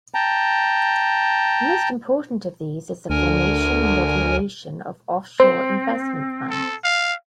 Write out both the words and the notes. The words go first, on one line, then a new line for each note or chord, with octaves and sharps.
The most important of these is the formation and regulation of offshore investment funds.
G5 A5 A#5
D2 D3 A#4 G#5
C4 C5
A4
F5